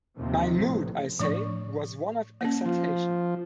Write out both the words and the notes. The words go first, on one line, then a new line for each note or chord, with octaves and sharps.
My mood, I say, was one of exaltation.
D#2 C3 F3
A1
A2 F3 A3 D4 D5 C#6
A#3 C#4
F3